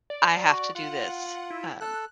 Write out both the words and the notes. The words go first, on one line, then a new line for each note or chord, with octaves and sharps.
I have to do this. Um,
D5
F#4
F4 F#5
E4
A4 F#6